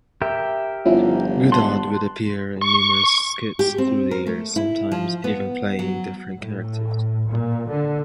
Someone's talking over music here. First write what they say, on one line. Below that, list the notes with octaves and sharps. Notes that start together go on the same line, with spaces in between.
Goddard would appear in numerous skits through the years, sometimes even playing different characters.
G4 A#4 E5
G1 F3 C#4 E4
A5 C6 F#6
C#6
G4
C4
A#4
A3
E4
F3
B3
F#3
A2
A#2
D3